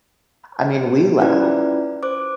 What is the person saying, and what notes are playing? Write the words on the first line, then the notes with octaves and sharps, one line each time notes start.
I mean, we laugh,
C#4 E4 F4 B4 D5
C5 D6